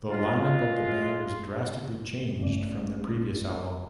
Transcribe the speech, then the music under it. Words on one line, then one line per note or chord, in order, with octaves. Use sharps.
The line-up of the band was drastically changed from their previous album.
G#3 F4
A1 D5